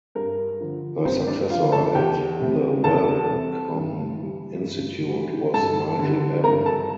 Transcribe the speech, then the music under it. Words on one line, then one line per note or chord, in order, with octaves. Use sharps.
Her successor at the Wellcome Institute was Nigel Allan.
G2 A#4
D3 F3
G2 C4 C5
D4 D5
D3 F3 F4 F5
A4 A5
E2 G4 G5
C3 G3
E2 A4 A5
C3 G3
G2
E3 G3
G2
E3 G3
G2 A4 A5
D3 G3
G2 A#4 A#5
A4 A5